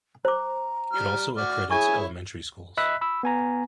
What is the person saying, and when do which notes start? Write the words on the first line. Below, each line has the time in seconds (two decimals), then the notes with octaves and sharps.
It also accredits elementary schools.
0.25 C5 A#5 D6
0.93 G3 F6
1.37 F#4 D5 F6
1.71 E4 G#4 C#5 G#5 C#6
2.77 D#5 E5 B5 E6 F#6 B6
3.01 B5 E6
3.23 B3 G#5 A#5